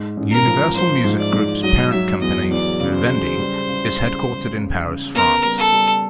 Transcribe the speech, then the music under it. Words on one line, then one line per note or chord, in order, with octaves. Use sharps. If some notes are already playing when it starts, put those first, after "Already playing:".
Universal Music Group's parent company, Vivendi, is headquartered in Paris, France.
Already playing: G#2
A1
A#4
F3
F3 C5
G#2
D5
G#2
F#3 D#5
F#3 E5
E2 D#5
E2 D5
C#3
C5
C#3
G3
C#3
C#3
C#3
C#3
C#3
B3 A#4
G3
A4
G3